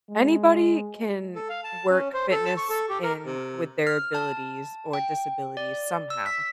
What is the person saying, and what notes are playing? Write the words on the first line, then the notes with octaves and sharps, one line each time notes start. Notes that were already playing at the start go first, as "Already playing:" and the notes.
anybody can work fitness in with their abilities or disabilities, somehow
G#3
A4
F5
A5
C#4
C5
A4
A5
C#6
A4
G4
A#4
C3
F6
A5
G5
D5
E6
B6